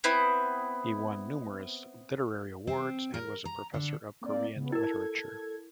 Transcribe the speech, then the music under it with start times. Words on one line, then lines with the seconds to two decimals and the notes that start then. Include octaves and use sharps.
He won numerous literary awards and was a professor of Korean Literature.
0.04 B3 C4 E4
2.67 C4
3.14 A#4
3.45 A#5
3.74 D3
4.21 A#3 C4 D5
4.56 C#3 B3
4.72 E4 A4 A#4 G#6